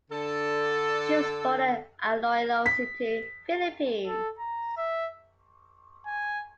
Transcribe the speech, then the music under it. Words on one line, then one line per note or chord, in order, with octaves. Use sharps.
She was born in Iloilo City, Philippines.
D3 A4
B6
A4
A#5
E5
G#5